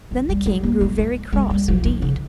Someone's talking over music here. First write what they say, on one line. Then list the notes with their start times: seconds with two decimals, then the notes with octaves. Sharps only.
Then the king grew very cross indeed.
0.11 F3
0.29 G3
0.46 G#3
0.63 A#3
0.81 G#3
0.98 G#3
1.33 G#3
1.50 G3
1.68 F3
1.85 D#3
2.02 C#3